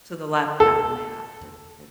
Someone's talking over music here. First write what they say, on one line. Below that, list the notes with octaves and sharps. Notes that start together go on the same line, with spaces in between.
to the left on the map. It it's
A4